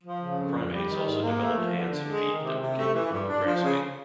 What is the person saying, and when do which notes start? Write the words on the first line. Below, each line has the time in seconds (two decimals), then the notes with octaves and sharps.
Primates also developed hands and feet that were capable of grasping.
0.04 F3
0.20 C#3
0.38 F2
0.55 F2
0.72 G3
0.89 D#3
1.06 G#2
1.23 A#3
1.41 A3
1.58 F3
1.75 D3
1.92 D3
2.08 G#3
2.27 D#3
2.43 C3
2.60 C3
2.77 A3
2.95 E3
3.12 G2
3.29 D4
3.46 F3
3.63 C#3